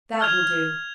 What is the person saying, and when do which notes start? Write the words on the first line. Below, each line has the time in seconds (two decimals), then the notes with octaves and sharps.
That will do.
0.21 F6 G#6 F7